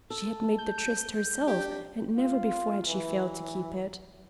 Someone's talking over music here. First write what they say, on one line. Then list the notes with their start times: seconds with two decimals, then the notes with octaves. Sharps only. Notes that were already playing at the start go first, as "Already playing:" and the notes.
She had made the tryst herself, and never before had she failed to keep it.
0.10 A4
0.58 G6
1.47 D4 G4
2.15 F4
2.85 E3